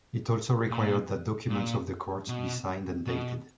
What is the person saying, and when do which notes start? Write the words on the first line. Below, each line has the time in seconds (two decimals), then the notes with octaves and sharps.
It also required that documents of the courts be signed and dated.
0.70 A#2
1.49 A#2
2.28 B2
3.06 B2